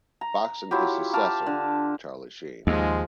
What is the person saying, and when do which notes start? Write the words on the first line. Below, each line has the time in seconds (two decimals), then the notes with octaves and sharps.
Fox and his successor, Charlie Sheen.
0.21 A#5
0.71 F#3 E4 F4 G4
1.13 F5 A5 D6
1.46 D3
2.67 D#2 G#2 F3 G#3